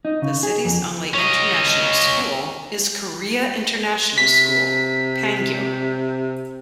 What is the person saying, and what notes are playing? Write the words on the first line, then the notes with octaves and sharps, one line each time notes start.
The city's only international school is Korea International School - Pangyo.
D#4
C#3
G#4
F2
C#4 D#5
C3 B6